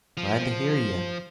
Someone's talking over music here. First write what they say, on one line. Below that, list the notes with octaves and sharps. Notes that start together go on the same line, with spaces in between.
Glad to hear you!
F3